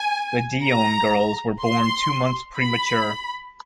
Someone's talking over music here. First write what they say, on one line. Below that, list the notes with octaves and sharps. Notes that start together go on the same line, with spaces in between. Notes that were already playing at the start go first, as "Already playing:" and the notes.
The Dionne girls were born two months premature.
Already playing: G#5
A#5
C6
B5